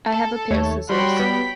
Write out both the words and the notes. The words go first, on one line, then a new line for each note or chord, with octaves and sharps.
I have a pair of scissors.
A4
D#2 A3 C#5
G3 F#4 C#5 G5 B5 C6
G3 B3 B6